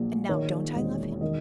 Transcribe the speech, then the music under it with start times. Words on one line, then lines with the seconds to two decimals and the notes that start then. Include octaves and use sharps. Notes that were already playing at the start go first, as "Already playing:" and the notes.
And now don't I love him?
Already playing: A#1 F#3
0.29 D#3 C#5
0.75 E1 D#5
1.21 D#3 D#5